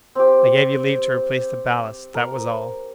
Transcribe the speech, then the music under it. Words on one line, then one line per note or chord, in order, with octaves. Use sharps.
"I gave you leave to replace the ballast; that was all!"
C4 G4
A#4